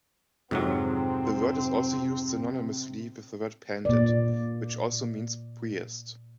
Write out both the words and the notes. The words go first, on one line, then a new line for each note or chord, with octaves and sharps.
The word is also used synonymously with the word "pandit", which also means "priest".
F2 G#2 C3 F#3 C4
A#2 D5